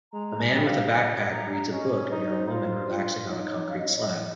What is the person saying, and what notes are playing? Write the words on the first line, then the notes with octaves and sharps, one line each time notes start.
A man with a backpack reads a book near a woman relaxing on a concrete slab.
G#3 A#5
A#5
G#5
G3
G5
F5
G#5
A#5
A#5
C#4 D#5
C#5
D#4 C5
C5
F4
F4
D#4 C#5
C#4 F5
D#5
C#5
D#5